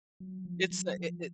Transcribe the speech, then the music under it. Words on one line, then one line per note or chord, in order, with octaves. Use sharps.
it's, uh, it it
F#3
F3
F#3
F3